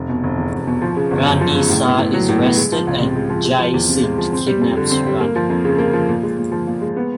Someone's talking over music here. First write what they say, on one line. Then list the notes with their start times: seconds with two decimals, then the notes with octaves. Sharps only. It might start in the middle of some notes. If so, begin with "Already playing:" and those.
Rani Sa is arrested and Jai Singh kidnaps Rani.
Already playing: F1
0.09 B2
0.24 F1
0.38 E2
0.53 F1
0.67 B2
0.82 F3
0.96 C#3
1.11 G1
1.25 F#2
1.41 F3
1.55 C#3
1.69 A2
1.84 B3
1.98 A2
2.13 F#3
2.29 A2
2.42 B3
2.57 G#3
2.72 F3
2.87 C#2
3.01 C3
3.16 G#3
3.30 F3
3.45 G#3
3.59 F3
3.74 E2
3.89 C3
4.03 G#3
4.18 F3
4.33 C4
4.47 G3
4.61 F2
4.77 D3
4.91 C4
5.06 G3
5.20 A#3
5.36 F3
5.50 F2
5.65 C#3
5.78 A#3
5.93 F3
6.08 A#2
6.23 G#3
6.38 A#2
6.52 F3
6.67 A#2
6.82 G#3
6.97 B3